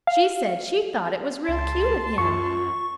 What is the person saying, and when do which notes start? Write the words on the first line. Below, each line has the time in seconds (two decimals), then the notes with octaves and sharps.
She said she thought it was real cute of him.
0.07 F5
1.49 C#2 A5 C6
2.18 F#2 F4 C#6